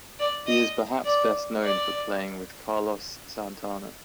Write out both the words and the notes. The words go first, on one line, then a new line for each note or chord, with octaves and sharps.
He is perhaps best known for playing with Carlos Santana.
D5
D#5
D5
D5